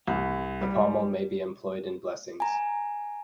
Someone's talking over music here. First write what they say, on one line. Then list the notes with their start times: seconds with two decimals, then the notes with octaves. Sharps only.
The pommel may be employed in blessings.
0.08 C2
0.61 G3
2.40 G#5 A#5